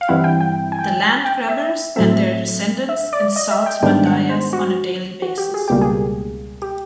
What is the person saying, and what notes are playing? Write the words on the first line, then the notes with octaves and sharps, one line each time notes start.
The land grabbers and their descendants insult Mandayas on a daily basis.
F5
G2 E3 G3 C4 E4 F#5
G5
G5
G#5
G5
G#5
G5
E5
A2 F#3 A3 C4 E5
E5
D5
D#5
E5
G5
G#2 D#3 G3 B3 D4 G5
F#5
C5
F#4
F#4
G4
G#4
C#2 B2 G3 A#3 G4
G#4
G4